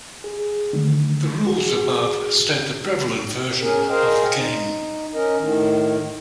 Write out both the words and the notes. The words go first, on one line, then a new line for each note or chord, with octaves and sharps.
The rules above state the prevalent version of the game.
G#4
D3 D#3 F#3 A3
F#4 G#4
C#4 G#4 A#4
G#4 A#4 C5 D#5 F5 G5
D#4
C#4 A#4 D#5
A2 D#3